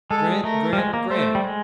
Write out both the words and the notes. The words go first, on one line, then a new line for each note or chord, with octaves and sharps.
Grant, Grant, Grant!
G#3 A4
A3 A#4
G3
G#3
A#3
A3 C5
G3
G#3